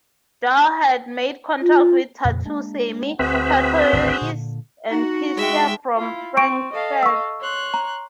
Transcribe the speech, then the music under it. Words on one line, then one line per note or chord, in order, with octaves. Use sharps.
Doug had made contact with Tattoo Samy, a tattooist and piercer from Frankfurt.
F4
F2 A#2 C#3
G#3 A#3 D4
D2 C4 F#4 G#4 B4 C5 E5
G#1 D2
A#2 D3
D#4 F#4 A#5
G#3 E5 G5
E4 F4
C4 C#6 D7
A4 D#5 F5
C#6 E6
C#5 C6 F#6
A#5